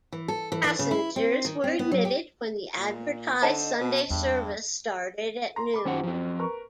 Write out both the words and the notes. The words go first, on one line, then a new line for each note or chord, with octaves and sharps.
Passengers were admitted when the advertised Sunday service started at noon.
E3
A4
E3
E3
C#3
E4
C4
D#3
C4
B3
F#3
G4
A#2
D3 C5 D#5 A5
B2
E2 G2
A#5 C6
B5 D6
F#2 D#3 C#4 G4 C5 F#5
F3 C4
A#4 B4 C#6